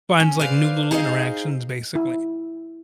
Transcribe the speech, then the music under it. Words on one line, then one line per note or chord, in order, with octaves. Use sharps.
finds, like, new little interactions, basically.
C#4
B4 C5 D5 F5
D#4 G#4 C5 C#5 D#5 F5
E4